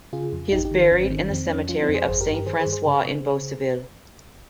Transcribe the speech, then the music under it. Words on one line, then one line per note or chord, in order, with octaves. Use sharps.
He is buried in the cemetery of Saint-Francois in Beauceville.
C#3 F4 G#4
F2
G#1 D#4 G4
D#4 G4
D#3
G#1 C#4
C4
D#3
C#4
F2 C4
F3 C#4
F3 C#4 F4
C4 D#4
F2
G#4 C5
G1 G#4 C5
G4 A#4
G2
G4 A#4
D#3 G#4 C5
G#4 C5
G2
G#4 C5
C#3
C#3